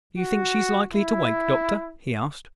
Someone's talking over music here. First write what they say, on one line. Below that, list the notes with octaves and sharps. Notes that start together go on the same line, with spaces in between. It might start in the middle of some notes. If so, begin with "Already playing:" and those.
"Do you think she is likely to wake, Doctor?" he asked.
F#4
E4